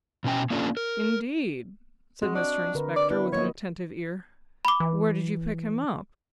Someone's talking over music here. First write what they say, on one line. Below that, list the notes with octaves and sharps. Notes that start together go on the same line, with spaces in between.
'Indeed?' said Mr Inspector, with an attentive ear; 'where did you pick him up?'
B2 C#4 G5
A#3 C#4 D4 F4 A4
A#4
G#3 C4 F#4 D#5
D4
D3 A#4 B4
D5
B3 D4 E4 B4
F#3 A#3 C#5 D#5
B5 D6
E3